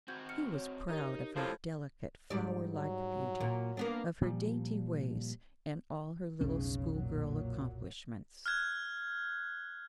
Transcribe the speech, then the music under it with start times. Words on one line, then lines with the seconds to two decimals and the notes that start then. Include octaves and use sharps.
He was proud of her delicate, flower-like beauty, of her dainty ways, and all her little schoolgirl accomplishments.
0.08 C4 F#4 G6 G#6
0.29 F6 C#7
0.54 C#5
0.89 D#4 G4 A#4 D#6
1.36 A2 C3 F3 A3 D#5
2.30 G#2 G3 D5
2.75 F#3
3.40 A#2
3.77 A#3 B3 D4
4.21 A#2 F3 G3
6.41 F1 B1 C#3 C#4
6.96 A#2 F#3
8.46 F6 F#6 G#6